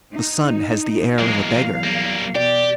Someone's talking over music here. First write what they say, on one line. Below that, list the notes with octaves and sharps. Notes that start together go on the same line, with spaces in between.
The sun has the air of a beggar.
D#4
E2 F#3 G#3 A#3 F5 D6
G3 A#3
B2 G4 D5